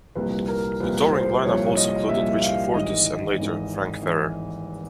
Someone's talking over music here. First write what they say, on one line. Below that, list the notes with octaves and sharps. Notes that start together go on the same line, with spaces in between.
The touring lineup also included Richard Fortus and later, Frank Ferrer.
C2 A#2 F3 B4
A#4
C2 A#2 F3 B4
C5
C2 A#2 F3 C#5
D#5
C2 A#2 F3 E5
F5
G#1 G#2 E3 D#5
G#1 G#2 E3
E3